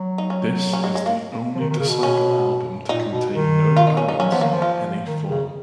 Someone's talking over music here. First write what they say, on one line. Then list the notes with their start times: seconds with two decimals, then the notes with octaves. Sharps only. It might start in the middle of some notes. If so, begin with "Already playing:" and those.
This is the only Disciple album to contain no Ballads of any form.
Already playing: F#3
0.18 D#4
0.30 C#4
0.73 C#4
0.84 G#3
0.95 G#3
1.06 A#3
1.55 F3
1.59 D#3
1.70 D#3
1.79 C#3
1.89 B2
2.03 C#4
2.89 A#2 D#4
3.11 B2
3.33 D#3
3.76 F4
3.87 D#4
3.97 C#4
4.08 D#4
4.19 F#3 C#4
4.30 F3 B3
4.41 D#3 A#3
4.51 F3
4.62 F4
5.05 D#3
5.28 C#3